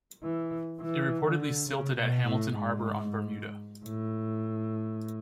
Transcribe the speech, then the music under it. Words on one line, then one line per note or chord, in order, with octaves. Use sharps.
It reportedly silted at Hamilton Harbor on Bermuda.
E3
E3
D3
C#3
B2
A2
G#2
A2